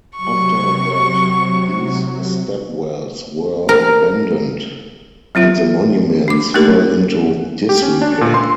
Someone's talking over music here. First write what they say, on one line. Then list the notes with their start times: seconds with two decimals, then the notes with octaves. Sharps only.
After that, these stepwells were abandoned and the monuments fell into disrepair.
0.17 C3 F#3 C#6
3.69 A#4
5.35 F#3 C4 F4 E5
6.28 D4 D6
6.54 A3 A#3 D#4 G4 A#4
7.69 G4
7.82 C#4
8.02 D4
8.21 A#2
8.34 C6